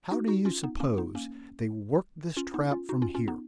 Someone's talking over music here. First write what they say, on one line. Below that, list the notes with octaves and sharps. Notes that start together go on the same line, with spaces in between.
How do you suppose they worked this trap from here?
D#4 F#4
D#4 F#4
C#4 F4
B3 D#4
A#3 C#4
B3 D#4
A#3 C#4
C#4 F4
B3 D#4
C#4 F4
D#4 F#4
C#4 F4
C#4 F4
B3 D#4